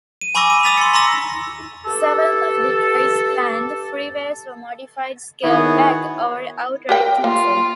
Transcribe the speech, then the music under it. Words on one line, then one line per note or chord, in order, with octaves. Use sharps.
Several of Detroit's planned freeways were modified, scaled back, or outright cancelled.
D#7
G#5 B5 C#6 D6 E6 A#6
D#7
D#6 E6 A6 B6 F7
C6 C#7
A#5 C6 D6 E6 A#6
G2 G4 A4
D#3 B3 E4 F#4 G#4 C#5
G4 A#4 G5
A#3 F4